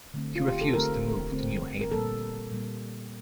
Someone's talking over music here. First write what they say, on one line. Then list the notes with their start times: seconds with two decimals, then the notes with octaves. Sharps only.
He refused to move to New Haven.
0.14 D3 A3 C4
0.36 F4
0.48 G4
0.61 A4
0.73 D3 A3 C4 A#4
1.32 D3 A3 C4
1.81 A#4
1.91 A#2 G3 A#3 A4
2.51 A#2 G3 A#3